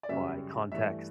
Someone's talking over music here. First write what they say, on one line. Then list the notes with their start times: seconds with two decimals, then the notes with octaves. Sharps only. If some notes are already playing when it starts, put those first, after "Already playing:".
by context,
0.03 D5
0.09 F#2 C#3 G3 E5
0.72 G2 E3 A3 E5